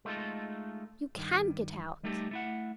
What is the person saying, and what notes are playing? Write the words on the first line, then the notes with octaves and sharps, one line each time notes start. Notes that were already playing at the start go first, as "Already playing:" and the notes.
"You can get out!"
G#3 A3 D#4 F4 A4
G2 D#3
G3 A3 D#4 G4 A4
A3 E4 F#5